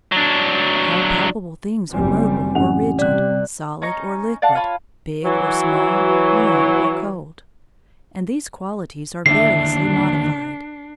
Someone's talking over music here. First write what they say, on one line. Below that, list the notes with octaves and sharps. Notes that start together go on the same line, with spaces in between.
All palpable things are mobile or rigid, solid or liquid, big or small, warm or cold, and these qualities are variously modified.
F#3 D4
F#1 G3 C4 G#5
A1 F#5 F7
C3 G3 C4 D5 F#6
C#4 D#4 A#5 C#6
D5 F5 F#5 A5
F4 C#5 B5
E3 F#3
D#2 A2 D3 D4 E5 C7